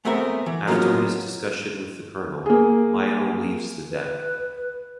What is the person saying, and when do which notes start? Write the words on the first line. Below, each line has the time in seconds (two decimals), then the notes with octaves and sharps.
After his discussion with the Colonel, Lionel leaves the deck.
0.05 G#3 A3 B3 C4 A#4 E5
0.46 E3
0.67 F#3 G#3 A#3 B3 C#4 F4
2.46 A#3 G#4
3.92 B4